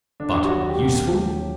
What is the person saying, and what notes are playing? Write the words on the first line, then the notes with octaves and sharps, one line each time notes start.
But, USEFUL?
D3 D4
F#3
F#4
D#2
G4
A#3
A#3
D3
F#3